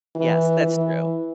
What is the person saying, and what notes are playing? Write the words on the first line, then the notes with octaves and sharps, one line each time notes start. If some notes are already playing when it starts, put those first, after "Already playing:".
Yes, that's true.
E3
E3